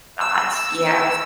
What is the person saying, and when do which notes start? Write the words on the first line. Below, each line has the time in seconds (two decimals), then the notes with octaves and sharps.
Thoughts yeah, s
0.21 E6